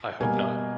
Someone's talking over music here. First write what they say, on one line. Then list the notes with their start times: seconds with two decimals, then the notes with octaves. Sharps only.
I hope not.
0.21 B2 G3 A#3 G#5